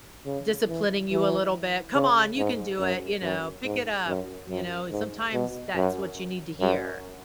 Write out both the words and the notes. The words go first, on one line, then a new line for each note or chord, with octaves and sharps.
Disciplining you a little bit, "Come on, you can do it," you know, "Pick it up," you know, sometimes that's what you need to hear.
C#3
E3
E3
C#3
G#2
F#2
F#2
G#2
F#2
F#2
G#2
B2
F#2
F#2